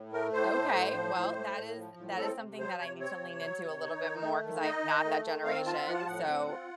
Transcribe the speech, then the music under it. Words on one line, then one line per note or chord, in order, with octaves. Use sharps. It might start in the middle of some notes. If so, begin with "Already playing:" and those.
Okay, well, that is that is something that I need to lean into a little bit more, 'cause I am not that generation so
Already playing: A2
A3 A#4
A2 C5
A3
A2
F3
A2
A3
A2
F3
A2
C4 A4
C3
F#3 C5
C3 C#5
C4 C#5
C3
F#3
C3
D#4
D#3
A3
D#3
D#4 D#5
D#3
A3
D#3
C4 F5
F4 A5
F3 F#5
A5
A2 F#5
C4
F4